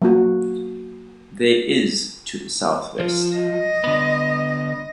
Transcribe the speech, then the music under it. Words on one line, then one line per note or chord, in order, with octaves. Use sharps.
There is to the South-West.
F#3 A#3 F#4
F3
D#5
D3 B3